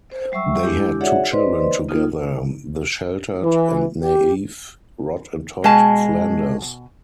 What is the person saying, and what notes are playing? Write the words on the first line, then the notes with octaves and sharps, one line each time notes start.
They had two children together; the sheltered and naive Rod and Todd Flanders.
C5
F#3 G3 E5 C#6 E6
G#3 D4 E4 G4
F#4 G#4 C#5 D5 E5 F#5
B4 C5 D5 D#5 C6
A#3 D#4 F4
E3
G4
B2 G#3 G#5 A5